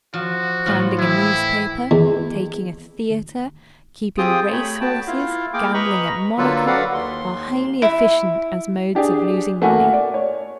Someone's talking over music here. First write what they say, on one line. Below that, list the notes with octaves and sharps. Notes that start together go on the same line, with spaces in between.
Founding a newspaper, taking a theater, keeping race-horses, gambling at Monaco, are highly efficient as modes of losing money.
F3 F#4
A2 F3
E3 E4 G4
E2
C4 F4 G4 G#4 G5 D#6
A3 C#5 B5
B3 F#4 G5 A5
E4 F4 F5
A#3 G#4 A#4 G5 D6
B4 D#5 A#5 B5 C#6
D3 F#3 A#3 F4 A4 B4
F#4 A4 B4 D5 F5 F#5
D#2 C6
E4
D4 G4 G#4 D5
A3 A#3 F#4 F#5 G#5
D5
C#5